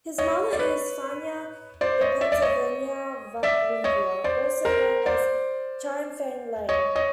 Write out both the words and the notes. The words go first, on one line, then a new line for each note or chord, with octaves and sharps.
His mother is Faina Ipatyevna Vakhreva, also known as Chiang Fang-liang.
C#5 D#5
D5
B4 C#5
C5 D5
C#5 D#5
D5 E5
D5
C#5 D#5
D5 E5
C#5 D#5
C5 D5
A#4 C5
C5 D5
C#5 D#5
C#5 D#5